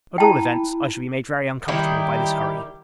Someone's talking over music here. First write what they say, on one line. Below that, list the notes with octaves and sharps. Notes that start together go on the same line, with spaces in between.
At all events, I shall be made very uncomfortable by this hurry.
E4 G5 A5 A#5
D#3 G3 E4 G4